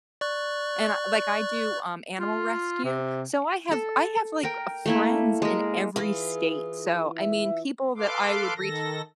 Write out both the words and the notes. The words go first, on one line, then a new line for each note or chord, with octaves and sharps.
And I like I do, um, animal rescue. So I have I have like uh, friends in every state. So I mean people that I would reach
D5 C#6 F#6
F4
C3
A4
A#4 G5
A3 A#3 E4
G#3 A#4
E3 F4 G#4
E5
A4 B4 F5 C6 D6
D#3 A4 A#6